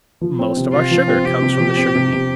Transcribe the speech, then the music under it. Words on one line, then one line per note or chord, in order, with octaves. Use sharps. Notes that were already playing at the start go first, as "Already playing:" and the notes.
Most of our sugar comes from the Sugar-beet.
F3
C4
C3
C3 F4
F3
C4
C3 G4
C3
F3
C4
C3
C3